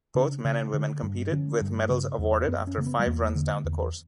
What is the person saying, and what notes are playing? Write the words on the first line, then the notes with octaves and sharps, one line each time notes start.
Both men and women competed, with medals awarded after five runs down the course.
C#3 D4
C#3
D3
G2
D3 C#4
G2
C#3
E2
F#2 B3
C#4
C#3 A#3
B3
G3
E2 A#3
D3
E2